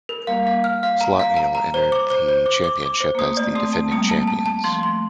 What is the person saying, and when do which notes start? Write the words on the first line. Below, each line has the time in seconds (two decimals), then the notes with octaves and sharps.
Slaughtneil entered the championship as the defending champions.
0.09 A#4
0.27 G3 A#3 F5
0.47 F5
0.64 F6
0.83 F5
1.01 A#5
1.19 F5
1.37 A#5
1.55 A#5
1.74 C5
1.92 D6
2.10 C5
2.28 C5
2.46 D6
2.64 D6
2.82 D6
3.00 C5
3.15 A#3
3.18 A3 C4 D#6
3.37 D5
3.55 A3 C4 D#6
3.73 A5
3.91 G3 A#3 D#6
4.10 A5
4.27 A5
4.46 A5
4.64 F3 A3 C6
4.83 C6